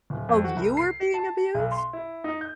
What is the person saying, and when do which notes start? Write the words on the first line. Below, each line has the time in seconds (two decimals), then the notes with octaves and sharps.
Oh, you were being abused?
0.10 D1
0.29 F2
0.44 F#4
0.56 C2
0.77 C7
1.14 A5
1.54 B1
1.71 C6
1.93 E4
2.24 D#4
2.41 G6